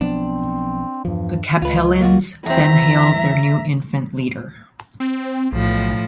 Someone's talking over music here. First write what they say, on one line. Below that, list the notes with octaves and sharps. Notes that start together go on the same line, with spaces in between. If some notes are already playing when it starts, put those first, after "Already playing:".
The Capellans then hail their new infant leader.
B1 F3 B3 C4 D4
E2 G2 F3
C#2 G#3 F4 B4
A#3 F4 F#4
E2 C4 E5 A#5
C4
B1 A2 F3